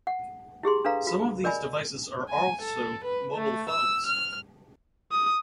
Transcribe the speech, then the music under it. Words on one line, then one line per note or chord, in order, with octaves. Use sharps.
Some of these devices are also mobile phones.
F#5
E4 G4 G#4 C6
D4 A4 B4 F5 A#5
F#4
A#4 D5 D#5 G#5 B5
G#5
A4
B4
A3
E6
F6
D#6